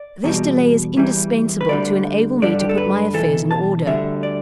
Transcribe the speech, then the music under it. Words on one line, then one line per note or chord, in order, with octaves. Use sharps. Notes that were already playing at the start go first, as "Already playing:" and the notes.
This delay is indispensable to enable me to put my affairs in order.
Already playing: D5
E2 B2 G3
E2 E3 G3
B4
D2 D3 G3 D5
G2 D3 G3 D5
G4
A4
B4
B1 A2 E3 A4
A5
D2 D3 G3 E5
D5